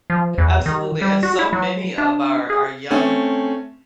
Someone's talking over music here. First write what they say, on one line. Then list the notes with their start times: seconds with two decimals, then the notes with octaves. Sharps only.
absolutely, and so many of our our young
0.10 F3
0.38 E2
0.66 D#3
1.02 G3
1.23 F#4
1.39 E4
1.53 F#3
1.98 D4
2.50 G#4
2.91 A3 C4 C#4